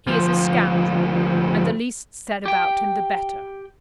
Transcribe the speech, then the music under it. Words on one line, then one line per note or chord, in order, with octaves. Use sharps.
He is a scoundrel, and the least said about him the better.
D2 F3
G4 G5